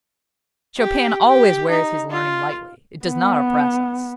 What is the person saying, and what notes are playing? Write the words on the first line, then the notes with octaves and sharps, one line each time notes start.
Chopin always wears his learning lightly; it does not oppress us.
G4
G4
D#4
F4
B3